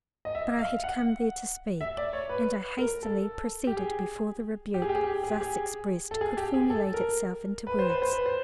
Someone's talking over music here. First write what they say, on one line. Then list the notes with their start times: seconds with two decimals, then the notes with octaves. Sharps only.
But I had come there to speak, and I hastily proceeded before the rebuke thus expressed could formulate itself into words.
0.25 D#5
0.35 E5
0.59 F5
0.84 F#5
1.81 E5
1.97 D5
2.13 C#5
2.29 B4
2.79 A#4
3.03 A4
3.67 G4
3.77 G#4
4.74 G4
4.82 G#4
4.89 G4
4.95 G#4
5.03 G4
5.23 G#4
5.32 G4
5.41 G#4
6.11 A4
6.21 G#4
6.37 G4
6.54 G#4
6.70 A4
6.94 A#4
7.67 B4
7.79 C5
7.90 B4
8.02 C5
8.13 B4
8.26 C5